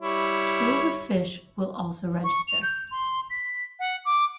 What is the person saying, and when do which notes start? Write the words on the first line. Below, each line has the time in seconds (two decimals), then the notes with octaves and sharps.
Schools of fish will also register.
0.02 G3 E4 C#5
2.24 C#6
2.48 F7
2.63 G6
2.91 C6
3.30 B6
3.79 F#5
4.05 D6